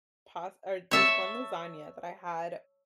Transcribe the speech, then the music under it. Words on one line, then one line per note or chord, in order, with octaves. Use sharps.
past or this one lasagna that I had,
C#5 E5 A5